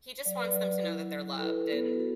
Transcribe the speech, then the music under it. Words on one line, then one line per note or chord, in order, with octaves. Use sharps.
he just wants them to know that they're loved and
F#3 D5
B4
F#3 D5
E4
E4
A4
E4 B4
A4
B3
A4
F#4
A4